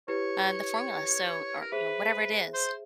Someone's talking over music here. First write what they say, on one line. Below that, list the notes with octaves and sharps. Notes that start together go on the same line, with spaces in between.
uh, the formula. So or, you know, whatever it is,
E4 G4 B4 C#5
A#4
G#4 B4 C5 E5
C5